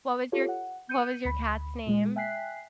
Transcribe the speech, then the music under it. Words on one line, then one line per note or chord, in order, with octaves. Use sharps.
What was your what was your cat's name?
F4 G4 A4 C#5
F#5
G6 C#7 D#7
D2 B5
A#2 G#3
E5 G5 G#5 F#6 B6 C7